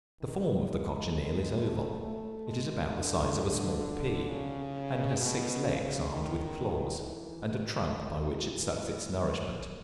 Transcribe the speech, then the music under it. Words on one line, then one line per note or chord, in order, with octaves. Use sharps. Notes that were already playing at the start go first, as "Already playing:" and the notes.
The form of the Cochineal is oval; it is about the size of a small pea, and has six legs armed with claws, and a trunk by which it sucks its nourishment.
D#3
G#3
A3
A3
G#3
D3
C#3
B2
C#3
D#3
E3
D#3
E3